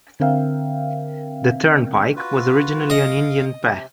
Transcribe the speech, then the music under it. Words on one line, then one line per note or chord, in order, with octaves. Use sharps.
The turnpike was originally an Indian path.
D3 C4 A#4 E5 F5 G5
F4 F#4 B4
D#5 F5
C3